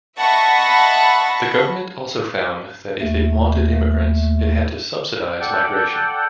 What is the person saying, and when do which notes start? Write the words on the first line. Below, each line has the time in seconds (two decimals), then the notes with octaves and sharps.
The government also found that if it wanted immigrants it had to subsidise migration.
0.17 D#5 E5 F#5 A5 B5 C#6
3.01 D#2 A3
5.40 A4 D5 F#5 G5